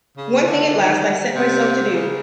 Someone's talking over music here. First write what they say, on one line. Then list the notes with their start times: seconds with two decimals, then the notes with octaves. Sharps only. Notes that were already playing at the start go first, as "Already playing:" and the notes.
One thing at last I set myself to do.
0.17 C#3
0.47 D3
0.76 D#3
1.35 C3
1.94 C#3